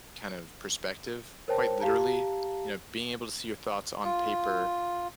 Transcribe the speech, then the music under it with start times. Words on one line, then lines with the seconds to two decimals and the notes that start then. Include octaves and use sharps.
kind of perspective quite literally. You know, being able to see your thoughts on paper
1.48 A#4 C5 C#5 G5 A5
1.80 G4 F5 A5 A#5
4.04 F4